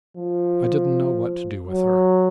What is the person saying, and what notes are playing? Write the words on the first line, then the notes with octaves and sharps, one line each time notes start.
I didn't know what to do with her.
F3
F#3